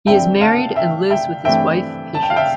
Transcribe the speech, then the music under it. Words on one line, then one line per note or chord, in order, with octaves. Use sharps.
He is married and lives with his wife, Patience.
G2 D3 G3 C4 E5 G5
F5 A5
E5 G5
E5 G5
G2 E3 A3 C4 E5 G5
A5
G5
F5
E5 G5